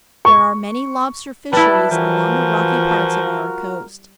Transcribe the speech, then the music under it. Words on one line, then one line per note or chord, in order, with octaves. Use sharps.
There are many lobster fisheries along the rocky parts of our coast.
C#6
G3 E4 B4 A5
E3 F3 F4 F#4 A#4